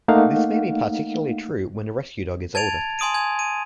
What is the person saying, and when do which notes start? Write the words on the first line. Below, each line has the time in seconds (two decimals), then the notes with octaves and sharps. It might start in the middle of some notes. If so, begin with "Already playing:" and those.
This may be particularly true when the rescue dog is older.
0.08 A3 A#3 D#4 F5 F#5
2.55 A5 G#6 A6 D7 F7
2.99 G#5 C6 D#6 D7 D#7
3.14 G#5 G#6
3.39 D#7